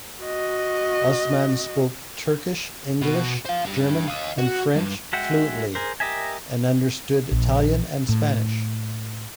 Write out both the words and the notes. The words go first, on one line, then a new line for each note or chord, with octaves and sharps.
Osman spoke Turkish, English, German and French fluently and understood Italian and Spanish.
F#4 D#5
B2
C5 F5
D4 G4
D#5 F5
F#4
G2
G#3 F#4 E5 F#5 G5
G#4 A#4 C5
G4 A#4 D#5 E5 G#5
A#1
A2